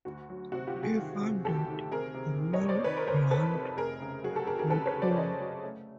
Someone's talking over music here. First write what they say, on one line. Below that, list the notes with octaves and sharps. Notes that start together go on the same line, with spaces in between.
He founded the Mel Blount Youth Home.
D2 F#4
F#3
C3 F#4
F4 G4
F#3
F#4 G#4
D#3
C3
D2 G4 A4
D#3
C3 G#4 A#4
C3
D#3
C#5 D#5
F2
C5 D5
D#3 B4 C#5
A#4 C5
F2 A#4 C5
F2 A4 B4
C3
F1 G#4 A#4
C#3
F#3 F#4 G#4
G4 A4
F2 G#4 A#4
G#4 A#4
C#3 A4 B4
B4 C#5
C#3
C5 D5
C#3 C#5 D#5
F#3
A3